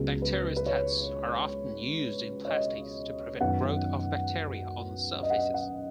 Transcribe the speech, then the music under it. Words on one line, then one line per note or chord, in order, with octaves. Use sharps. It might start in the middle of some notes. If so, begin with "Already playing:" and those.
Bacteriostats are often used in plastics to prevent growth of bacteria on surfaces.
Already playing: C#2 C#3 F#3 B3 G#4
B4
B4
C#5
C#5
D#5
F#2 D#3 B3 F#5
D#5
F#5
D#5
F#5